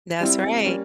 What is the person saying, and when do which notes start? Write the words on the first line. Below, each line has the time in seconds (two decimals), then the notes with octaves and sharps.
That's right.
0.20 G3 C4 E4
0.64 G3 A#3 C#4